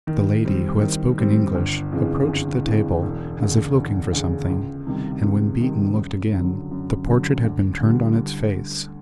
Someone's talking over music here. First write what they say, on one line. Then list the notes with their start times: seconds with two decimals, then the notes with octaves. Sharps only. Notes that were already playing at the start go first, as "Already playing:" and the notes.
The lady who had spoken English approached the table as if looking for something, and when Beaton looked again, the portrait had been turned on its face.
0.07 D#3
0.45 G3 C4
0.81 D#3
1.18 G3 C4
1.54 G1
1.92 F2 C#3 E3
2.29 G1
2.65 F2 C#3 E3
3.03 E1
3.40 D2 C#3
3.76 E1
4.13 D2 C#3
4.50 C#2
4.87 C3 D#3 G3
5.23 C#2
5.60 C3 D#3 G3
5.96 F#2
6.33 D3 F#3
6.71 F#2
7.07 D3 F#3
7.45 D2
7.80 D3 G3